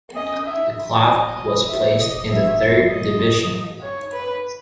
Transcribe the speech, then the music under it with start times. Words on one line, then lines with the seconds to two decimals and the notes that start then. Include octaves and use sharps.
The club was placed in the third division.
0.16 D#5
0.47 E5
1.08 D#5
1.69 E5
2.00 D#5
2.30 E5
2.90 D#5
3.83 C#5
4.13 B4